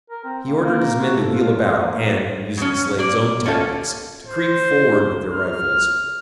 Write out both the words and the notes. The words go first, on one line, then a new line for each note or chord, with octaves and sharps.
He ordered his men to wheel about, and, using Slade's own tactics, to creep forward with their rifles.
A#4
C4
A#3
A#3
F#4
A4
F4
G#3
A#3
B2 C#4
A#3 D5
C#4 F4 A4
C5
F6